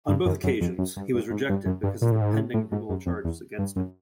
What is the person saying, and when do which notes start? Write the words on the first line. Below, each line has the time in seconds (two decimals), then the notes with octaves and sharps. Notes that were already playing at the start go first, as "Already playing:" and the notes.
On both occasions he was rejected because of the pending criminal charges against him.
0.08 G2
0.26 F#2
0.44 F#2
0.61 F2
0.78 F#2
0.97 G2
1.14 G2
1.31 G#2
1.49 G2
1.66 F#2
1.83 G2
2.02 A#2
2.12 A2
2.22 G#2
2.33 A2
2.54 A2
2.72 G#2
2.89 F#2
3.06 F2
3.24 E2
3.59 G2
3.76 F#2